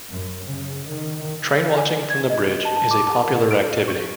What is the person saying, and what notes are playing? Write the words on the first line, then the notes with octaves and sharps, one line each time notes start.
Trainwatching from the bridge is a popular activity.
F#2
C#3
D#3
G#5
G#6
D#5
A5
A5
D6
A5
A#4
D7
C#6